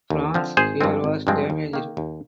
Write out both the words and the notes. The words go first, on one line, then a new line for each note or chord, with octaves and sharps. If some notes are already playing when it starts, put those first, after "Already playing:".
France here was damaged.
D#2
D3 F3 C4
G#1 G#4 C5
G2 F3 G#3 C4
G#1
G2 F3 G#3 C4
D#2
D#3 A#3
D#2